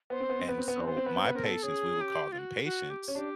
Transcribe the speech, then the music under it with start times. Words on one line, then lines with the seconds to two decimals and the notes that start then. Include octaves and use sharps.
and so my patients, we would call them patients,
0.10 B3 C5
0.20 C4
0.30 B3
0.39 C4
0.49 B3 B4
0.58 C4
0.68 B3
0.77 C4
0.87 B3 C5
0.97 C4
1.06 B3 B4
1.16 C4
1.24 B3 B4
1.35 C4 A#4
1.44 B3 A4
1.63 C#4 G#4
2.01 G4
2.32 F4
2.39 F#4
2.64 F#4
2.90 G4
3.08 C#4
3.15 D4 G4